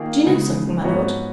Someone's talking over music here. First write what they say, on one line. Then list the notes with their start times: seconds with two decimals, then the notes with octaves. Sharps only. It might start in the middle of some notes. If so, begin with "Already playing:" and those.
"Do you know something, my Lord?"
Already playing: D#3 A#3 F4 G#4
0.26 C#3 G#3 B3 D#4
0.84 G#2 F3 B3 F#4 C#5